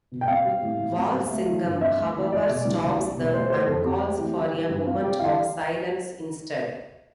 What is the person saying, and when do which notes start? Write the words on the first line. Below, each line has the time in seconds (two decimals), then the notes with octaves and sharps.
Walsingham, however, stops them and calls for a moment of silence instead.
0.12 B2
0.21 G5
0.28 C4 F5
0.45 G3
0.62 A2
0.79 A2
0.97 C4
1.13 G3
1.30 A3
1.47 E3
1.64 G2
1.81 C4 E5
1.98 A3
2.15 E3
2.32 G3 D5
2.48 B2
2.65 C2
2.83 C2
2.99 G3
3.17 B2
3.23 B4
3.33 A3 C5
3.50 E3 C5
3.67 F2 A4
3.84 C4 G4
4.01 A3
4.19 E3
4.35 G3
4.52 E3
4.69 G2
4.86 C4 F4
5.03 G3 G4
5.20 E3 F5